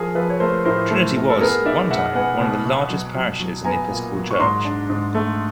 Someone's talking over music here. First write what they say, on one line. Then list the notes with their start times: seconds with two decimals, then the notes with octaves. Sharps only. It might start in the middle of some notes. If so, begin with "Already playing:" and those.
Trinity was, at one time, one of the largest parishes in the Episcopal Church.
Already playing: F3 G#4 A#4
0.15 F3 A4 B4
0.30 C#5
0.40 A3 A#4 C5
0.65 A2 A#4 C5
0.90 A3
1.15 A3
1.29 A4
1.41 B3 G#4 A#4
1.65 D#4 D5 E5
1.90 B2 E5 F#5
2.15 B3 F#5 G#5
2.40 B2
2.65 B2
2.90 F#3
3.15 F#3
3.40 F#3
3.65 B3 G#5 A#5
3.90 A#2
4.15 F#3
4.31 C#6
4.39 G#2 A#5 C6
4.65 D4
4.90 G#2
5.15 A3